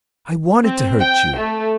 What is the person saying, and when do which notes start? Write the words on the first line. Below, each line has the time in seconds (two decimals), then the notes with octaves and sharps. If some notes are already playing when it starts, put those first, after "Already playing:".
I wanted to hurt you.
0.66 C4
1.01 G5
1.38 A3